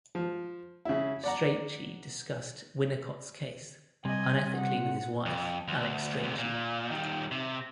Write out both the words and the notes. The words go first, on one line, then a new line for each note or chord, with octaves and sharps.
Strachey discussed Winnicott's case, unethically with his wife, Alix Strachey.
F3
C#3 E4
D5 F#5 A#5
C3 G3 D#5 G#5
F#5
F2
D2
D2 C3
A#2
D#3 G3
C3